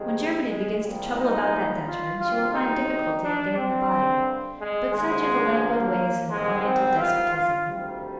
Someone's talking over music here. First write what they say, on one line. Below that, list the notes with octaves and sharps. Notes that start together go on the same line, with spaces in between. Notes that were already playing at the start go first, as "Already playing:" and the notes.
When Germany begins to trouble about that Dutchman she will find difficulty in getting the body; but such are the languid ways of an Oriental despotism.
Already playing: F2 C3 D#3 G3 G#3
G#3
C2 A#2 G3
D#4
F4
D2 C3 D#3 G3 F4
D#4
D4
G2 D3 G3 C4
G#3
D#2 D3 F3 G#3
A#3
G#2 D#3 G3 G#3
C4
F4
F4
D2 C3 D#3 G3 F4